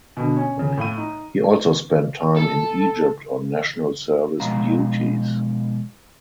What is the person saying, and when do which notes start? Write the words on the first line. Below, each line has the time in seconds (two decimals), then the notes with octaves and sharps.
He also spent time in Egypt on National Service duties.
0.17 B2 D3
0.36 C#4
0.56 D#1 C#3
0.77 A2 F5 D#7
0.97 D#4
2.36 A4
4.40 B2 F3 G#3 F5 A#5